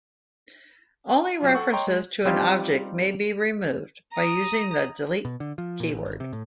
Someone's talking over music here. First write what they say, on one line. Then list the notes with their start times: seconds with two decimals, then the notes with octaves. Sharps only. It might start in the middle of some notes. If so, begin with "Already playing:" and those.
Only references to an object may be removed by using the "delete" keyword.
1.40 B1 F#3 F4
1.55 A4 F#5 C#6
1.73 C#5 D#5 G5 A#5 C6 C#6
1.87 G#3
2.25 G3 C4 D#4 F4 G4
4.13 A#5 D#6
5.25 B2
5.40 D3
5.58 F3
5.80 A#2
5.92 A1
6.06 G#1
6.20 C3
6.33 A2